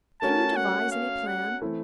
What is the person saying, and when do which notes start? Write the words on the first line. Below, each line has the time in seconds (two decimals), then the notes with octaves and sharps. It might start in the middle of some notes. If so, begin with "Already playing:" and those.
Can you devise any plan?
0.21 A3 C#4 F#4 A#4 A5
0.56 F#5
0.92 F5
1.27 F#5
1.62 E3 A3 C4 E4